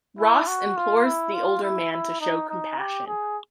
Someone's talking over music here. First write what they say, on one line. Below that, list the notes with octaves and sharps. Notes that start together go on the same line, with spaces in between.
Ross implores the older man to show compassion.
E4
F#4
F4
E4
F4
E4
E4
D#4
D#4
G4
G#4